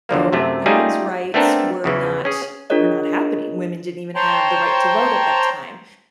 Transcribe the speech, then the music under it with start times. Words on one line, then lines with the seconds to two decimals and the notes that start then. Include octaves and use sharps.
so women's rights were not were not happening, women didn't even have the right to vote at that time.
0.09 E2 D3 F3 A#3
0.33 F#2 C3 A3
0.66 G3 A3 C#4 D#4 F4 G#4
1.34 A3 B3 C4 D4 A4 A#4
1.84 E2 C#3 E3
2.25 C#4 G#4
2.70 D4 F4 G#4 A#4 C#5 D#5
4.16 C5 C#5 G5 A5 A#5 C6